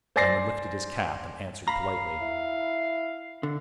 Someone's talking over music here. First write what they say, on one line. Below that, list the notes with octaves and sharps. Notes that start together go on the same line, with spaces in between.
Diamond lifted his cap, and answered politely.
C5 D5 G#5 A6 A#6 C7
F5 A#5 B5
E4
D3